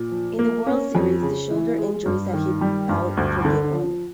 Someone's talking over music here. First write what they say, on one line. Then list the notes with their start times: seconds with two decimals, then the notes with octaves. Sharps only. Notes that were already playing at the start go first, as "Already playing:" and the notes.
In the World Series the shoulder injury sat him out for game one.
Already playing: A#2
0.11 F3
0.39 A#3
0.67 C#4
0.95 F2
1.22 C#3
1.50 E3
1.78 G#3
2.06 G2
2.33 D#3
2.61 G3
2.89 G2
3.17 D2
3.45 D3
3.73 F3